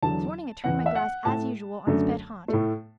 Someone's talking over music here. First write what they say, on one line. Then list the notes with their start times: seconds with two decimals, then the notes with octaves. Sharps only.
This morning I turned my glass, as usual, on his pet haunt.
0.03 E2 D3 F#3 A5
0.64 E2 E3 B3 F#5
0.86 E5
0.95 F#5
1.25 A2 A3 A5
1.87 F#2 D3 A3
2.48 A2 A3